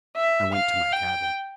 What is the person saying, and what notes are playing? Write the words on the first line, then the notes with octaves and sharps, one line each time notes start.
I went to my cabin.
E5
F5
G5